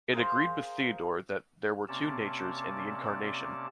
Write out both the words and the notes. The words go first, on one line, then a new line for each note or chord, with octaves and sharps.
It agreed with Theodore that there were two natures in the Incarnation.
G#4 A#4 C5 F5
C3 A#3 C4 C#4 D5 A5